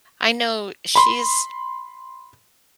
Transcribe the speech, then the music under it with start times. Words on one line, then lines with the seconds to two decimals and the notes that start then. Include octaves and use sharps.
I know she's
0.96 B5 C6